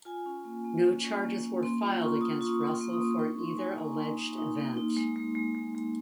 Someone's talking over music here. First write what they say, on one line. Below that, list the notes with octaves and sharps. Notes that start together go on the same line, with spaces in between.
No charges were filed against Russell for either alleged event.
F4 G#5
C#4
A#3
A#3
C#4
C#4
A#3
C#4
A#3 C6
F4 A#5
F4 C#6
F4 D#6
F4 C#6
F4
C6
A#3
D#6
A#3
D#4 C#6
D#4 C6
D#4 G#5
A#3 A#5
D#4 C6
D#4
D#4
A#3
D#4
G#3
G#3
G#3
G#3
G#3